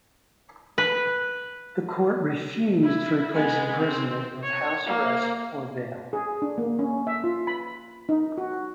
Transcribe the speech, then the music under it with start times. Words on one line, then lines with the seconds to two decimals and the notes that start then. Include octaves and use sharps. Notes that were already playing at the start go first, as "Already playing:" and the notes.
The court refused to replace imprisonment with house arrest or bail.
0.78 B4
2.83 E4
3.35 G#3 B3
3.80 C4
4.43 C#5
4.86 A#3
6.13 G#4
6.42 D4
6.58 A#3
6.79 C#4
7.07 E5
7.24 F4
7.47 B5
8.09 D#4
8.38 F#4